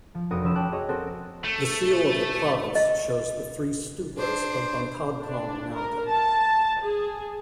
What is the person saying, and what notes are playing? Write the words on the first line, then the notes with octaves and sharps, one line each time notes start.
The seal of the province shows the three stupas on Bantadthong Mountain.
F3
F1 F#4 A#4 B4 D#6 C#7
F3 C#4 B4 E6 E7
G5 A5 D6 F#6
F#4 G#4 C#5 D#5
C4 F#4 A4 A#4
A3
D#5
D4 C5
D4
A#4
A5
G#4